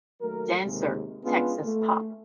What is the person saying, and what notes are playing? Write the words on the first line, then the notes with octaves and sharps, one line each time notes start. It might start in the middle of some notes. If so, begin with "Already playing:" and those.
Dancer, Texas Pop.
D#2 F#3 A3 A#4
D#2 C3 G#3
G#3 B3 C#4 D4 F4 G#4
A3